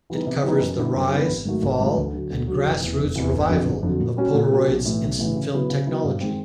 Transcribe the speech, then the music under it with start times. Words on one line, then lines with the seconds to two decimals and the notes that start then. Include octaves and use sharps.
It covers the rise, fall, and grass-roots revival of Polaroid's instant film technology.
0.10 E3 G3 B3 D#4
0.27 C3
0.43 E3 G3 B3 D#4
0.60 F#2
0.78 D3 G3 B3 E4
0.95 F#2
1.12 D3 G3 B3 E4
1.29 G#1
1.45 G#2 D#3 F#3 A3
1.62 G#1
1.79 G#2 D#3 F#3 A3
1.96 D2
2.13 D3 F#3
2.30 D2
2.48 D3 F#3
2.65 F1
2.81 E2 C3 E3
2.99 F1
3.15 E2 C3 E3
3.32 G1
3.49 F2 D3 F#3
3.66 G1
3.83 F2 D3 F#3
4.00 A#2
4.17 G3 A#3 C#4 F#4
4.34 A#2
4.51 G3 A#3 C#4 F#4
4.67 B1
4.85 A2 E3
5.02 B1
5.19 A2 E3
5.36 C#3
5.53 F#3 B3 E4
5.70 C#3
5.87 F#3 B3 E4
6.04 G2
6.21 D#3 G#3 C4